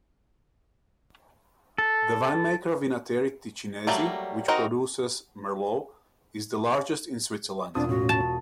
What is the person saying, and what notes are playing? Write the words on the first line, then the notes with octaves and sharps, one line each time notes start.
The winemaker Vinattieri Ticinesi, which produces merlot, is the largest in Switzerland.
A4
F#3 G3 A3 A#3
C4 D#4 F#4 A#4
E1 C4 D4 F4 A5 D#6
A2 C#4 F#4
A5